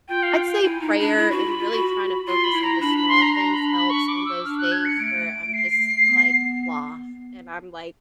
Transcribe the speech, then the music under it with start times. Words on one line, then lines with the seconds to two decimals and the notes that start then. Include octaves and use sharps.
I'd say prayer and really trying to focus on the small things helps on those days where I'm just like, "Blah." And I'm like,
0.08 F4 G5
0.23 F5
0.36 G5
0.49 G5
0.63 E4 G#5
0.81 D#4 A#5
0.95 A#5
0.99 D4 B5
1.17 E4
1.31 F#4
1.45 F4
1.58 F4
1.72 F#4
2.26 F4 C6
2.44 B5
2.54 E4
2.63 A#5
2.81 D4 B5
2.95 B5
3.09 C6
3.22 A#5
3.35 A#5
3.54 B5
3.72 B5
3.90 C#6
4.08 D6
4.26 E6
4.44 D4 F6
4.58 F#6
4.72 G#6
4.85 C#7
4.99 A3 D7
5.54 C7
6.08 B3